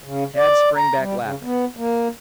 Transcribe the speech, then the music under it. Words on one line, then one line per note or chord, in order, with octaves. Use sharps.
Tad sprang back laughing.
C#3
D5
A#5
G3
C#3
B3
A#3